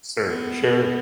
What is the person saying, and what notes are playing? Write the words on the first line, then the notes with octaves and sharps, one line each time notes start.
Sir sure.
B3